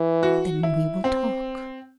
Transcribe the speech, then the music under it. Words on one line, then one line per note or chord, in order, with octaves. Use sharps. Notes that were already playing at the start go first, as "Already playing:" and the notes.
Then we will talk.
Already playing: E3
F#4
E4
C4